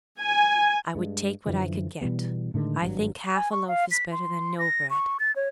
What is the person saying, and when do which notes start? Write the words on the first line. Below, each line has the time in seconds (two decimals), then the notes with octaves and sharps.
I would take what I could get; I think half a loaf is better than no bread.
0.19 G#5
0.95 G2 G#3
1.46 F#2 D3 E3 F3
2.01 B2 E3 G3 B3
2.54 A2 D3 D#3 G#3
2.81 G#1 G2 B2 F#3
3.36 G#5
3.52 C#6
3.68 F5
3.91 B6
4.12 C6
4.59 A#6
4.90 C#6
5.20 A6
5.36 C#5